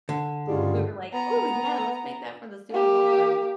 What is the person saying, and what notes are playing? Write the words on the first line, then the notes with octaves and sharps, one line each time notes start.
we were like, "Ooh, yeah, let's make that for the Super Bowl party."
D3
G2 C#3 G3 G#3 F4 G#4
B3 A#5
A#3 G4